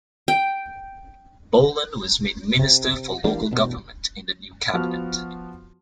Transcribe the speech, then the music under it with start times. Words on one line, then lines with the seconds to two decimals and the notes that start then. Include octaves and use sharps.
Boland was made Minister for Local Government in the new cabinet.
0.28 G5
2.59 C3
3.24 E3 G3 A#3 D4
3.51 A1 G2 B2
4.73 F3 B3 F#4 F6